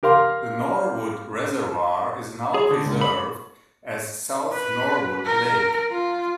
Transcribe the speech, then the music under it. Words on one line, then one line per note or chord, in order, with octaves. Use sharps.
The Norwood reservoir is now preserved as South Norwood Lake.
G4 A#4 F5 C6
G#4
D3
C#2
B5
B4
A#4
F4